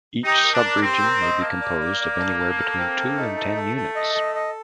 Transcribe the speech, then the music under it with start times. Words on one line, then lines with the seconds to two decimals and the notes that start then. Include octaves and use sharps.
Each sub-region may be composed of anywhere between two and ten units.
0.24 D#4 G4
0.43 A#4
0.54 D4
0.63 A#4
0.82 C4 G4
1.02 A#4
1.22 D#5
1.41 A#3 A5
1.61 D5
1.80 D5
2.00 D5
2.19 A5
2.39 A5
2.58 A4
2.78 C4
2.98 A4
3.17 A3 D#4
3.37 A4
3.56 A4
3.76 A4
3.96 D#5
4.15 A4
4.35 D#5